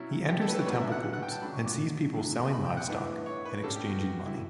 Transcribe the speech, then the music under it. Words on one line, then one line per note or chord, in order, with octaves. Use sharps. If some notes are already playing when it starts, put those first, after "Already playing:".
He enters the Temple courts and sees people selling livestock and exchanging money.
Already playing: B2 F#3 C#4 E4
G4
A4
B4
A4
C#5
G2 D3 F#3 B3 B4
E5
F#5
F#5
F#5
G5
A5
C#3 F#3 A3 D4 B5
C#6
D6
F#2 C#3 F#3
B5
G5
F#5
A2 E3 B3 D4
C#5
B4
C#3 G3 B3 D4 A4
G4
F#4
F#4
E4